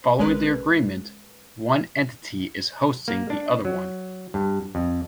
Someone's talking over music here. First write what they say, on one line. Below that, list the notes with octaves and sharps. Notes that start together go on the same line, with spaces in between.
Following the agreement, one entity is hosting the other one.
A1 G#3 C#4 A#4 B4 F#6
A#3
D4
F#3
G2
F2